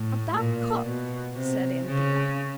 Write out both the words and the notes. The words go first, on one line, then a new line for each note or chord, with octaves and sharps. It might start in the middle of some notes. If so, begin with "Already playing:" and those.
'About cook,' said Anthea.
Already playing: A2
A#2
B2
C3
C#3